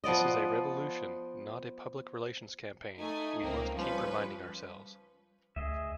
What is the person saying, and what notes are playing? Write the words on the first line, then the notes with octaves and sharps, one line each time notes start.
This is a revolution, not a public relations campaign, we must keep reminding ourselves.
F3 B3 D5 D#5
A3 D#4 G#5
C#2 A#3 C4
F3 G3 C#4 B4
D2 G#4 D#5 E5